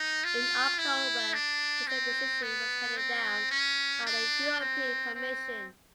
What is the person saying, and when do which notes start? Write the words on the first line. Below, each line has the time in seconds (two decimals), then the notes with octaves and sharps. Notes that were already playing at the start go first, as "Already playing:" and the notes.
In October, the same decision was handed down by the European Commission.
Already playing: D#4
0.24 F4
0.78 E4
1.33 D4
1.87 C4
2.42 B3
2.97 C4
3.51 C#4
4.06 D4
4.60 C4
5.15 C4